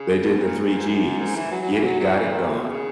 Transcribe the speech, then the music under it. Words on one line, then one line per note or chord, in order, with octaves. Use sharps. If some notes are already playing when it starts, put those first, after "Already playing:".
They did the three g's. Get it. Got it. Gone.
Already playing: C#3
B2
A#2
A#2
G#2
F#2
G#2
E3
F#3
F#3
E3
F#3
F#3
E3
D#3
A#2
B2
C#3